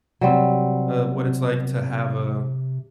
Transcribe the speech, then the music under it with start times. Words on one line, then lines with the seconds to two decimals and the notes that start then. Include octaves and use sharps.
a what it's like to have a
0.21 C3 F#3 G3 C4